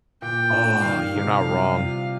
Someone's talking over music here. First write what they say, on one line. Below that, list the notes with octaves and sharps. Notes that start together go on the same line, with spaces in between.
Oh, you're not wrong.
A#2 G5
D4
D#3 F5
C3
G3
F4